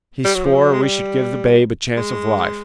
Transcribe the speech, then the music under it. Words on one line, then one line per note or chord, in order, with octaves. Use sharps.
He swore we should give the babe a chance of life.
G3
F#3
F3
F#3
G#3
G3
G#3